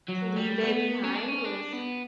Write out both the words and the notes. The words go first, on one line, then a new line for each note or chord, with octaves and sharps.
to leave it behind was
F#3
G3
B3
C#4
D4
C#4
D4
B3